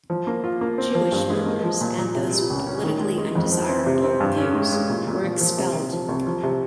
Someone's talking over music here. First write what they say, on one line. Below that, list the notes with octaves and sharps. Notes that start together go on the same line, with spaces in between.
Jewish members and those with politically undesirable views were expelled.
F3
A#3
F4
A#3
C4
F3
G2
G#3
A#3
F3
A#2
A#2
C3
G3
C#2
C#4
D#3
G#3
G#3
F2
F3
C4
C3
C4
G2
C#4
G#3
G#3
A#2
A#2
F3
F3
C3
C3
F3
C2
F3
C3